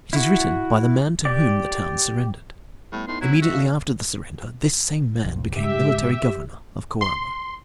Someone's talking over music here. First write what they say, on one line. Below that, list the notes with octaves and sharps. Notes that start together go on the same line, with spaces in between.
It is written by the man to whom the town surrendered. Immediately after the surrender this same man became Military Governor of Coamo.
E4 F#4
G4 D5
A2 G3 A3 B3
A2 B3 D#4 C6
F#3 G#3 C4 E4
D#3 D4 F#4 E5
D2 D3 G#4 F5
B1 F2
G#2 C#3 G#3 G4 E5
C6